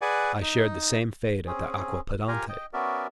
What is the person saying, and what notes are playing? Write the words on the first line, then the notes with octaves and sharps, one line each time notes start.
"I shared the same fate at Aquapendente."
G#4 B4 D5 F#5 G#5
D#4
C4 C#4 G#4
F4 G4 A#4 G#5 A#5
D#5 G5
B3 C#4 F#4 A#4 D5 E5